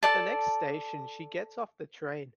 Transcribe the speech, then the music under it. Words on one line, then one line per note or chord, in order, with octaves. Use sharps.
At the next station, she gets off the train.
A4 D5 A5